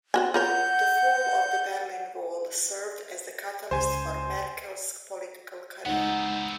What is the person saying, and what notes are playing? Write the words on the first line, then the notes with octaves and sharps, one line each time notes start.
The fall of the Berlin Wall served as the catalyst for Merkel's political career.
C4 F#4 G#5
F4 A#4 C#5 F#5 G6
C#2 C5 G#5
C#2 G#3 B3 C4 D#4 F#5